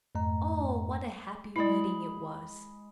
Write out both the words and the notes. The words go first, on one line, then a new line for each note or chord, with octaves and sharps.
Oh, what a happy meeting it was!
F2 G#2 A3 D#5 A#5
G#3 E4 D5 B5